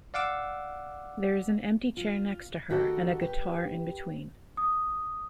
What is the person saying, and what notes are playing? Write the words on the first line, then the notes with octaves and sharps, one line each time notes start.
There is an empty chair next to her and a guitar in between.
D5 F5 F#5 D6 E6
F4
D#3 F#4 G4 A4 D#5
G4 B4
D#6